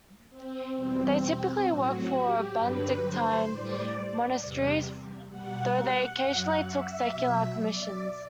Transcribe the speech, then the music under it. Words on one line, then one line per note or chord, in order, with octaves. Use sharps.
They typically worked for Benedictine monasteries, though they occasionally took secular commissions.
C4
E2 B2 G3 C4
A2 F#3 F#4
G4
G2 D3 F#3 B4
C5
A2 G3 D5
E2 C3 G3
B2 G3 F#5
F#5
F#2 F#3
E5
B2 F#3
D5